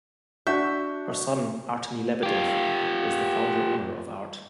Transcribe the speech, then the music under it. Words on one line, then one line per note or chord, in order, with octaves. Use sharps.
Her son, Artemy Lebedev, is the founder-owner of Art.
D4 F#4 E5 G6
F4 G4